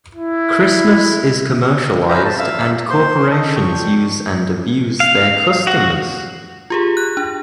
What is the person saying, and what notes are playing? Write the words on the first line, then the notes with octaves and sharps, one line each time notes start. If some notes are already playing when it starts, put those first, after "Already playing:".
Christmas is commercialized and corporations use and abuse their customers?
E4
C#4 B4 C5 E5 F5 A#5
A5
E5 F5 E6
C5 C6
A4 D#5
D4 G5 C#6
F5
F#4
F4 G4 G#4
F#6
D4